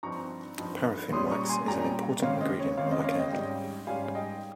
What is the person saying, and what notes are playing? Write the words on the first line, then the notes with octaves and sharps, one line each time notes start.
Parrafin wax is an important ingredient of a candle.
G2 F3 C4 D#4 A#5 C#6
G2 F3 C4 D#4
A#2 G3 C#4 C6 D#6
A#5 C#6
G#5 C6
A#2 G3 C#4 G5 A#5
D#2 C#3 G#3 C4 C#5 F5
D#5
C#5
D#2 C#3 G#3 C4 C#5 F5
D#5
C#5 F5
D#5 G5
G#2 G3 C#4 D#5 G5
G#2 G3 C#4 F5 G#5
D#5 G5